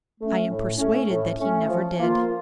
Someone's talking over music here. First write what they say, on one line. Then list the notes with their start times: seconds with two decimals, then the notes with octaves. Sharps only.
"I am persuaded that he never did."
0.19 A3 C#4
0.49 A2
0.78 A3 C#4
1.08 A2
1.39 A3 C#4
1.68 F3
1.97 A#3 F4